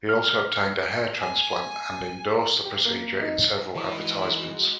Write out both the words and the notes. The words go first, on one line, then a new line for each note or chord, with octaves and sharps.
He also obtained a hair transplant and endorsed the procedure in several advertisements.
F6
G#5
G4
A#3
D#4
E3 G#3 D#4 F#4